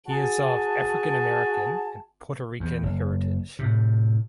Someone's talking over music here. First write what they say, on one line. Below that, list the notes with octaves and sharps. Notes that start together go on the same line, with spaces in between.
He is of African American and Puerto Rican heritage.
F#4 G#4 G#5 A5
E2
F#1
A2 C3